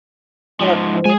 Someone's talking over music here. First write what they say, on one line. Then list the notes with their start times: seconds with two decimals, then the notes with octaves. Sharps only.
Hold up, honey.
0.61 G#2 F3
1.06 G#3 G#4 G#5